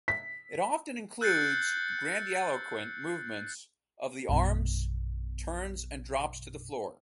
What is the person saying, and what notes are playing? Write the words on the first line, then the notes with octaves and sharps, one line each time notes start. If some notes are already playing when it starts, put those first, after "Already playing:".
It often includes grandiloquent movements of the arms, turns and drops to the floor.
B6
E6 F#6 G6 A6 C7 C#7
A#1 F#2 B2